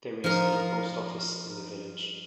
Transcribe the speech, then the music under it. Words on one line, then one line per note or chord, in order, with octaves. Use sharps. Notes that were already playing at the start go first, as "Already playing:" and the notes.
There is a post office in the village.
F3 D#4 A#4